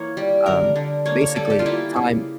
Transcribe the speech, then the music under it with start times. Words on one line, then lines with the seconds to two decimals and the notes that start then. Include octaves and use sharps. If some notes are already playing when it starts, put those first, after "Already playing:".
um, but basically, time
Already playing: E3 A#3 C#5
0.17 G3
0.46 D3 A#4
0.76 D3
1.06 A#3 C#5
1.21 C#5
1.36 G3 A4
1.50 G4
1.59 F4
1.66 A#3 E4
1.96 C#3